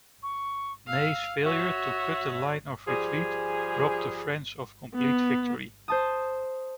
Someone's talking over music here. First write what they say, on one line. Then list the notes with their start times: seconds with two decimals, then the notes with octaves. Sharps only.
Ney's failure to cut the line of retreat robbed the French of complete victory.
0.23 C#6
0.87 F5 E6
1.44 F#4 C#5 E5
2.87 F3 G3 G#4
4.95 B3
5.88 C5 A5 D#6